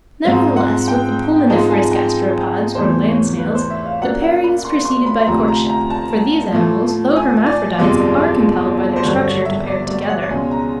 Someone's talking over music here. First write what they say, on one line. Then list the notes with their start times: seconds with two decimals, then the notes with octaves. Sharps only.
Nevertheless with the pulmoniferous gasteropods, or land-snails, the pairing is preceded by courtship; for these animals, though hermaphrodites, are compelled by their structure to pair together.
0.25 G#2 F3 G#3 C4
0.56 F#5
0.88 G5
1.50 G#2 F3 G#3 C4 D#4 A5
1.70 G#5
1.91 G5
2.75 E2 C3 E3 A3 C5
3.07 C#5
3.38 B4
3.55 C5
3.70 E5
3.86 F5
4.02 A#1 A#2 F#3 A#3 C#4 F#5
4.22 F#5
4.44 B5
4.65 C6
4.85 C6
5.06 B5
5.27 D2 C3 F3 A#5
5.48 A#5
5.69 A#5
5.90 A5
6.52 A2 F3 A3
7.16 G#5
7.46 D5
7.78 G1 F2 C3 F3 G#3
8.96 C5
9.04 G#1 G2 D3 F#3 C#5
9.24 C#5
9.45 E5
9.68 D5
9.87 D5
10.09 F#5
10.29 C#2 B2 G#3 C#4 G#5
10.51 A#5